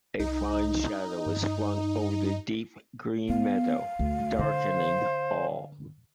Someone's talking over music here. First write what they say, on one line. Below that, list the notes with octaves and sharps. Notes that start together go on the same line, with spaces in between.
A fine shadow was flung over the deep green meadow, darkening all.
C2 D#4
G2
B3 F5
D2
D3 C5